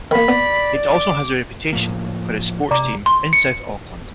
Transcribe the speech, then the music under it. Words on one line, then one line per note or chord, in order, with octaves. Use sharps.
It also has a reputation for its sports teams in South Auckland.
D#3 A#3 B5
B3 D5
D6
A2 F3 A#3
C3 D5 A#5 D6
C6
C#7